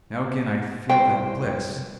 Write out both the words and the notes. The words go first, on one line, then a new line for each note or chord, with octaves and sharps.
Now again I feel that bliss.
C2 G4 C5 G5